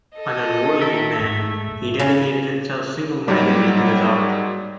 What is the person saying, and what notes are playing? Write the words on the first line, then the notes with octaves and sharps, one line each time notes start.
An unworldly man, he dedicated himself singlemindedly to his art.
A4 D#5
D#3 A#4 E5
G#2 A3 E5
C#3
G#2 F#3 G3 A#3